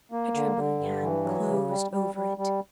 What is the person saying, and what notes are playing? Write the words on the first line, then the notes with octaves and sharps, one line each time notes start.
Her trembling hand closed over it.
A#3
D3
D3
G2
E3
F#3
C#3
G3
G3
G3
G3